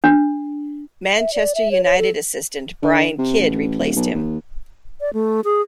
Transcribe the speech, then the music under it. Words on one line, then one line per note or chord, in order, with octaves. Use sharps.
Manchester United assistant Brian Kidd replaced him.
D4
E5
D5
E5
C#5
C#5
A4
D3
C3
A1
D#1
B1
D#2
D5
A3
G#4